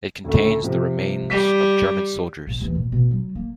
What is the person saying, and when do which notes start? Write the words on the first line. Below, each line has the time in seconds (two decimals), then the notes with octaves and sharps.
It contains the remains of German soldiers.
0.24 D2 C#3 A3
0.62 C3 F3
1.30 G3 B6 F7
2.47 A#1
2.61 D#2 E3
2.75 A#2
2.92 B2
3.11 F#3
3.35 A#3